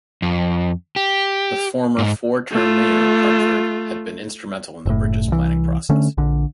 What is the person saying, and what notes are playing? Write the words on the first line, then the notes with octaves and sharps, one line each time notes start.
The former four-term mayor of Hartford had been instrumental in the bridge's planning process.
F2
G4
G#2
A3 F4
F#1 A2
C2 E3
D3 A3 C#4
A#1 D3